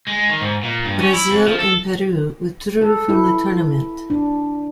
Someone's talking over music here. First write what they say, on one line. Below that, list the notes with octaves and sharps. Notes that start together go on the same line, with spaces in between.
Brazil and Peru withdrew from the tournament.
G#3
D#3
G#2
A#2
G2
C#4
E4
F2
F3
A4
A4
E4
D4